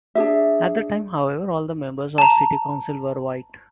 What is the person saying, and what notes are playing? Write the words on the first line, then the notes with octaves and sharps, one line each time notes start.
At the time, however, all members of the city council were white.
D4 G#4 E5
A5 A#5